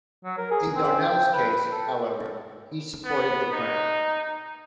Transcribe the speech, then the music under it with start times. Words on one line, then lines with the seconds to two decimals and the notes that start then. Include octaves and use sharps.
In Darnell's Case, however, he supported the Crown.
0.24 F#3
0.38 A#4
0.51 G#4
0.75 C4
1.01 G5
1.33 B4
1.71 A4
3.04 B3
3.52 D#4